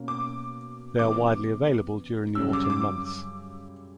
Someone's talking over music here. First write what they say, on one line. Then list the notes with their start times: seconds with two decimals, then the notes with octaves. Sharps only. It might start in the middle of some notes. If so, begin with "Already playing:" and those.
They are widely available during the Autumn months.
Already playing: B2 A#3 C#4
0.08 D6
0.99 C#3 E3 B3 F#4 B4 D6
2.35 F#2 C#3 G3 C#4 E6
2.53 D6
2.70 D6